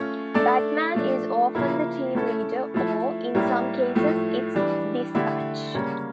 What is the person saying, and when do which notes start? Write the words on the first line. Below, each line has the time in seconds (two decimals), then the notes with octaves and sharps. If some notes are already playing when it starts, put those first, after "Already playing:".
Batman is often the team leader or, in some cases, its dispatch.
Already playing: A3 C#4 F4
0.34 A3 D4 A4 D5
0.95 F3 A3 D4
1.55 C#3 F3 A#3 E4
2.15 A3 C#4 E4 A4
2.74 F3 A3 E4 A4
3.35 A2 G3 A#3 E4
3.95 A2 F3 A3
4.55 E3 G3 D4
5.15 D3 A3 E4 G4
5.75 C#3 G3 A#3 C#4